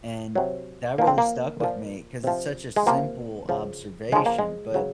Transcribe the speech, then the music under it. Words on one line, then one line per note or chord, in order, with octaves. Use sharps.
And that really stuck with me 'cause it's such a simple observation, but
C3 F#3
A#2 F3 A#3
C4
A#3
A#2 F3
C3 F3
G#3
C3 F3 A#3
C#3 F3
C#3 F3 G#3
A#3
G#3
C#3 F#3